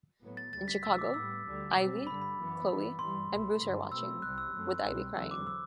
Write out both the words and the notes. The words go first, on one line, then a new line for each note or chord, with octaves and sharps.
In Chicago; Ivy, Chloe, and Bruce are watching, with Ivy crying.
A2 F#3 B3
A6
D2 C3 G3 A6
B6
D2 C3 E3 E6
D6
A2 G3 B3 E6
D2 D3 G3
B2 G3 C4
G2 D3 G3 B5
B5
F#2 E3 B3
G2 E3 B3
G2 E3 G3 C6
C2 B2 A3
G2 D3 F#3
B2 A3 C4 E6
C2 C3 G3 C4 F#6
E6
F#2 F#3 A3 C4
C2 B2 G3 C4
E2 D3 F#3 C4 E6
D6
E6